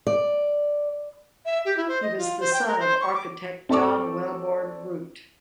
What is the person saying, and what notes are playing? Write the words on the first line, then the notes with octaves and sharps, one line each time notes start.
He was the son of architect John Wellborn Root.
D5
E5
G4
E4
C5
D#5
F4
C5
G5
A#4
C5
C#6
D6
C4 A4 D5 C#6 D6